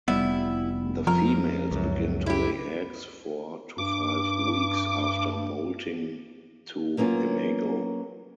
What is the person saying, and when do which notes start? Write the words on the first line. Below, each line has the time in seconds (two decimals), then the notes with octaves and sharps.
The females begin to lay eggs four to five weeks after moulting to imago.
0.08 F1 G3 B3 E4
1.07 F2 F3 A#4
1.71 C#2 F#2
2.26 E4 G4
3.78 G2 D6
6.97 F#3 A#3 B3 C#4 F4